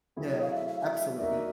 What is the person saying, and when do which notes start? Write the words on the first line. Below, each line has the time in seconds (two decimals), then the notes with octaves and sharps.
Yeah, absolutely,
0.16 F#3 A3 C4 E4 G#4
0.29 C#5
0.42 F5
0.55 E5
0.68 F5
0.80 E5
0.94 E5
1.19 A#3 D#4 F#4 A#4 D5 E5